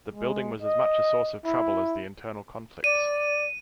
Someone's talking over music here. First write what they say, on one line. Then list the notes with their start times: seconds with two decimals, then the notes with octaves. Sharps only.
The building was as much a source of trouble as the internal conflicts.
0.13 G#3
0.62 D#5
1.45 E4
2.84 D5 D#7